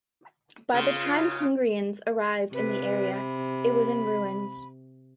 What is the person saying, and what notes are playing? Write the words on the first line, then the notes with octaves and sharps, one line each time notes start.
By the time Hungarians arrived in the area, it was in ruins.
C#3 F4
C3 B4
B5